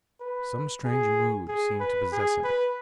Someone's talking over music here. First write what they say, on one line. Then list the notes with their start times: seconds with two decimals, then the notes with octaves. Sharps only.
Some strange mood seemed to possess him.
0.20 B4
0.85 G#4
1.48 G#4
1.80 B4
2.12 G#4
2.44 B4